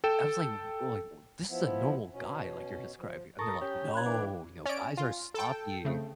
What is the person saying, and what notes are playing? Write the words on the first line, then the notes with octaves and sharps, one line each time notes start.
I was like or, like, "This is a normal guy," like, "you're describing," and, they're like, "No," you know, "guys are sloppy."
A4 G5 E7
F3 B3 E4
B2 C#4
F3
A4 A#4 C#6 D#6
C#4 G4
B5 F#6 G#6
E3 D4
C#4 C#5 D5 D7
F4
A4 G5
C#3 A3 C4